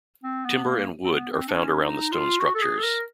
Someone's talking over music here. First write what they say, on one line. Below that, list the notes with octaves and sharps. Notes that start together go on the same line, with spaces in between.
Timber and wood are found around the stone structures.
C4
B3
A#3
C4
B3
C4
D4
C#4
D#4
F4
F#4
A4
G#4
A4
A#4